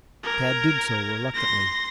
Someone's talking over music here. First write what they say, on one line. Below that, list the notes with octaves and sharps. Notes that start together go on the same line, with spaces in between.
Tad did so reluctantly.
A#4 G#6
C6 A#6